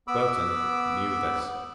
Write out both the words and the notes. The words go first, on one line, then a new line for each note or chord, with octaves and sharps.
Burton knew this.
B3 B5 D6 E6